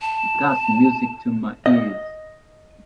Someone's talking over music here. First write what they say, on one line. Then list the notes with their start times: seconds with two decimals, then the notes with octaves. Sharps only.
That’s music to my ears!
0.02 A5
1.66 D#5